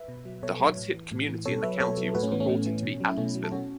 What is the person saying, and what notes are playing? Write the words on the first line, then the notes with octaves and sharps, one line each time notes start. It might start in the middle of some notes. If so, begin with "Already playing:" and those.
The hardest hit community in the county was reported to be Adamsville.
Already playing: B4 E5
B2
F#3
B2 A4 C#5
F#3
A2
E3
A2
E3
B2 A4 C#5
F#3 B4 E5
B2 A4 C#5
F#3
A2 F#4 B4
A3 C#4
E3 B3
A3 C#4
A2
E3
B2
F#3
E4
B2 A3 C#4
F#3
A4
B2 C#4 F#4